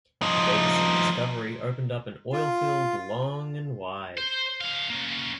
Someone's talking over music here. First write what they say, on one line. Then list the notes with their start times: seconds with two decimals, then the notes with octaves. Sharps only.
Davis' discovery opened up an oilfield long and wide.
0.22 F3 D#4
2.33 F4
4.18 C5
4.61 D3 F5
4.90 A#3 C#4